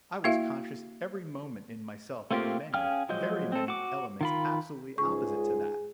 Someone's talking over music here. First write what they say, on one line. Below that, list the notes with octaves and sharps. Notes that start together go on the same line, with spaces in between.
I was conscious every moment in myself of many, very many elements absolutely opposite to that.
A#3 E4 F#4 E5 F5
A3 A#3 C4 F4 G4
C#4 G#4 F5 G5 F6
F3 F#3 G#3 D#5 G6
C4 A4
F#4 D6
D#3 F4 B5
C#2 G#2 G#3 G#4 C#6